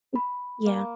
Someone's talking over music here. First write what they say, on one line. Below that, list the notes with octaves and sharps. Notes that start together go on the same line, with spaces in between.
M Yeah.
B5
A#3